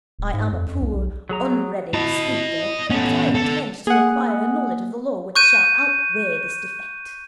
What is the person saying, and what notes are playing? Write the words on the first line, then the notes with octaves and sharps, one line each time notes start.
I am a poor, unready speaker, but I intend to acquire a knowledge of the Law which shall outweigh this defect.
D1
G#2
F2
F2
C2
B1
F#3 G#4 A#5
E4 D#5 A5
B3 C#4 A4
D3 A4
A#3 G#4 F#5
C#6 F#6 G6 D#7